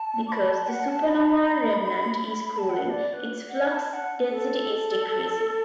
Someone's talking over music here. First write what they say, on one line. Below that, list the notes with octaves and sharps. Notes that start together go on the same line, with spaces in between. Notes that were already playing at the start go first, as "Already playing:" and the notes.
Because the supernova remnant is cooling, its flux density is decreasing.
Already playing: A5
D6
B5
A5
F#5
A5
B5
A5
F#5
D5
D5
B4
F#5
B5
A5
A5
F#5
A4